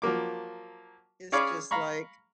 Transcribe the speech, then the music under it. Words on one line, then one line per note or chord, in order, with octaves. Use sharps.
it's just, like
F3 F#3 A#3 D6
C#4 G#4 C#5 D5 F5 B5
F5 A#5 B5 C#6